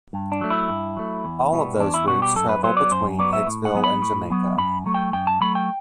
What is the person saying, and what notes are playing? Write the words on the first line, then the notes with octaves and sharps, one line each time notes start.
All of those routes travel between Hicksville and Jamaica.
G2
D4
F#3 A3
E4
G2
F#3 A3
E2
B2 G3 B3
E2 D4
E4
B2 G3 B3 F#4
G4
F#2 A4
B4
F#3 B3 C5
D5
F#2 C5
F#3 B3 D5
E5
A2
F#5
F#3 B3
B5
A2
F#3 B3
F#2 B5
F#3 A3
G5
F#2 G5
A5
F#3 A3 B5
G5